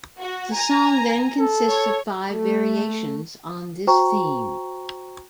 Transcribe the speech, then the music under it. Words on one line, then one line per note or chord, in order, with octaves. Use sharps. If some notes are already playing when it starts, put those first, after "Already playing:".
The song then consists of five variations on this theme.
F#4
G#5 A#5
A4
C#5
A3
F#4 C5 G5 A#5 C#6